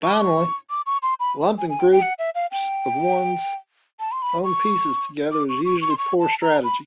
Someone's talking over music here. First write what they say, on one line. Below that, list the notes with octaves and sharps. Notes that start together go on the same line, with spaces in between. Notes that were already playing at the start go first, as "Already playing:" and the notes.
Finally, lumping groups of one's own pieces together is usually poor strategy.
C#6
D6
C#6
D6
C#6
C6
B5
G#5
G#5
G5
G5
F#5
E5
F5
G5
A5
C6
B5
C#6
D6
C#6
C#6
C#6
C6
C#6
A5
A#5
B5